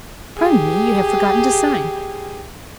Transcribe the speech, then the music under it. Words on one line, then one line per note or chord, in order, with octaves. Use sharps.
"Pardon me, you have forgotten to sign."
G4 G#4